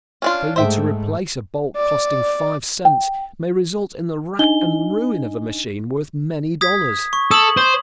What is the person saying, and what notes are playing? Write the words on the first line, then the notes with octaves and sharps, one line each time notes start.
Failure to replace a bolt costing five cents may result in the rack and ruin of a machine worth many dollars.
C#4 D4 F4
G#2 A3 C5 E5 G5
D5
G5
D4 D#4 D#5 G#5 G7
D#6 G#6 B6
C#6
A4 D#6 F#7
C5